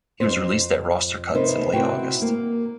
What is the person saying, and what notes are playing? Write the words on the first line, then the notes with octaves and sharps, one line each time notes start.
He was released at roster cuts in late August.
F2 C5
C3 B3 D#4 A#4 C5
C3 C4 E4 F#4 G5
A#3